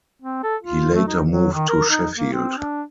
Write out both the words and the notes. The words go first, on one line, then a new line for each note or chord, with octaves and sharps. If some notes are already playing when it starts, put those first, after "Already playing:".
He later moved to Sheffield.
C4
A4
F4
A3
D#4
F#3
D#3
A#4
D#4
A#3
C4
D4